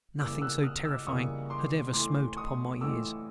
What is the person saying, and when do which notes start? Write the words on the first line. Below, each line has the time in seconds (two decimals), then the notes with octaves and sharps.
Nothing so terrifying had ever smote upon my ears.
0.20 C#3 E3 G3 A#3 D6 E6
0.42 E6 F#6
0.63 D#6 F6
0.85 D6 E6
1.07 C#3 E3 G3 A#3 C#6 D#6
1.50 C6 D6
1.93 A2 E3 A3 C6 D6
2.37 C#6 D#6
2.80 A2 E3 A3 D6 E6